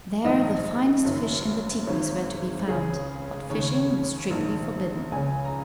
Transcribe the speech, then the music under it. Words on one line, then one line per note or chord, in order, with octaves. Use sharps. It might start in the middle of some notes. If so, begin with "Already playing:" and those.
There the finest fish in the Tigris were to be found, but fishing was strictly forbidden.
A#1 G#2 D#3 D#5
F#1 F#2 D#3
G#1 G#2 D#3 C#5
C#2 C#3 G#4
D#2 C#3 C#5
A#1 G#2 D#3
C#2 C#3 G#5
A#5